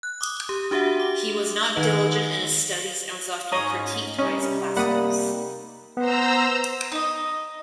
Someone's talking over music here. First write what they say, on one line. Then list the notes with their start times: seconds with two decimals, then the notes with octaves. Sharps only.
He was not diligent in his studies and was often critiqued by his classmates.
0.03 F#6
0.21 D6 D#6
0.49 G4
0.71 D4 F#4 G4 E5 F#5
1.00 D6
1.76 D#3 D#4 B4 D#5
3.52 G#2 G#3 C#4 C#5 A#5 D#6
4.19 C3 G3 C#4 D#4 D#5
4.77 A#3 C4 D5 F#5 B5 D#6
5.97 B3 C5 A#5 E6
6.92 D#4 D#5